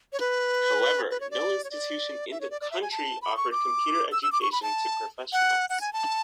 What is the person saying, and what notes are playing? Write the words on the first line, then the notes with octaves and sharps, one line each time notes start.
However, no institution in the country offered computer education to professionals.
C#5
B4
B4
C#5
D5
C#5
D5
E5
C#5
D5
D5
E5
G#5
A5
B5
C#6
D6
E6
E6
D6
C#6
B5
A5
F#5
F#5
G#5
A5